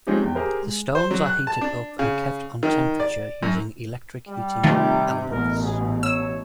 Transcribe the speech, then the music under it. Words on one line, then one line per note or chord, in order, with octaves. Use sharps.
The stones are heated up and kept on temperature using electric heating elements.
F3 G#3 C4 C#4 D#4 G4
E2 G5
G4 G#4 A#4 C5
G#3
C5
F#3
F#6
A5
D4
C#3
D#3
D5
F#2
G3
C3 D#3 A3 F4
A1 B2 A#4
G#4
C#5 E6